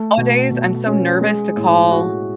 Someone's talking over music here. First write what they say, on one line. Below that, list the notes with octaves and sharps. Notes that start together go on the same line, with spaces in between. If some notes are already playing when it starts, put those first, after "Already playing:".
nowadays, I'm so nervous to call
Already playing: A3
B2
B2
C#4
G#3
A2
F#4